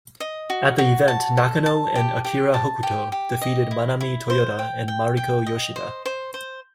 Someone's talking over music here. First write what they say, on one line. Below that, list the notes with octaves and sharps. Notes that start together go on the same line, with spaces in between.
At the event, Nakano and Akira Hokuto defeated Manami Toyota and Mariko Yoshida.
D#5
F#4
F#4
A5
A4
A5
G4
G4
A5
G4
G4
D#5
E4
E4
C5
G5
G5
G5
D#5
C5
C5
C5